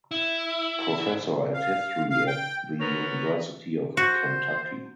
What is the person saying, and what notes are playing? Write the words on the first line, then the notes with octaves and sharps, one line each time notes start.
Professor of History at the University of Kentucky.
E4
F5
F5
G5
D3 B3 C#4 A#4
F#4 C5